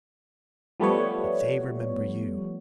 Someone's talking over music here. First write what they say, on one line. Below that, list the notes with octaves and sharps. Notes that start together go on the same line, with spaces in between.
But they remember you!
F3 G3 A3 B3 C#5